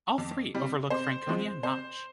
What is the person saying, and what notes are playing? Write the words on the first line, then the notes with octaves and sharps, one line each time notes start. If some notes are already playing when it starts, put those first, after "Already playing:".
All three overlook Franconia Notch.
F2
C3 G3
C3 C5
F3 G#3 C4
C3 C5